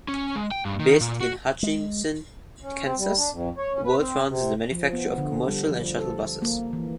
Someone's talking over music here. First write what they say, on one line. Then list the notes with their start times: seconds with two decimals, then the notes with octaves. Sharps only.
Based in Hutchinson, Kansas, World Trans is a manufacturer of commercial and shuttle buses.
0.08 C#4
0.35 G#3
0.51 G5
0.65 G2
0.80 D#3
1.01 A#2
1.20 F#4
1.63 G#3
2.62 C#4
2.84 C4
2.98 G3
3.17 D4
3.32 F2
3.57 C#5
3.73 C#4
3.85 B4
4.00 C4
4.29 C3
4.72 F3
4.93 B3
5.18 D3
5.48 G3
5.70 F3
5.98 A4
6.42 A#3
6.73 E3